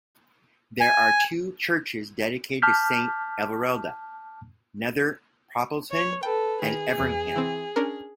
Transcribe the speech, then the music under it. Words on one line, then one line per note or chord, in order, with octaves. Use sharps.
There are two churches dedicated to Saint Everilda - Nether Poppleton and Everingham.
G#5
A5 D6 F6 G6 B6
C#5
A4 B4 G5
D#3 G#4
E2 E3
E3 C4
C#4 D4 A#4